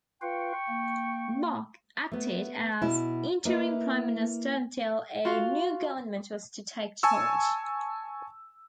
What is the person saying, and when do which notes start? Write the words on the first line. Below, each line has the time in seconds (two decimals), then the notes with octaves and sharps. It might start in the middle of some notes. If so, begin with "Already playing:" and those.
Boc acted as interim Prime Minister until a new government was to take charge.
0.22 F4 B4 F5 G5 C#6
0.68 A#3
2.12 A3 B3
2.82 B2 E4
3.45 A#3 E4 B4 D#5
5.25 F4 F#4 F5 C6
7.03 G#5 A5 C#6 E6